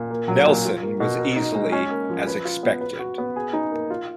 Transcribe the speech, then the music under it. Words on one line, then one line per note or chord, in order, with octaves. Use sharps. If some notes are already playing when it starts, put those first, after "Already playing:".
Nelson was easily as expected.
Already playing: A#2
A#3
F#3
A#2
F4
A#3
B2
A#4
D#4
G#3
C#4
A#3
F3
B4
F4
B3
B4
F#4
B3
G#4
D#4
A#3
F4